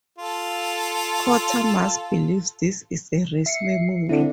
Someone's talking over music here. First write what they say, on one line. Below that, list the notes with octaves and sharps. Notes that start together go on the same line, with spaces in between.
Quatermass believes this is a race memory.
F4 A4
E5 C7 C#7
D3 C4 E4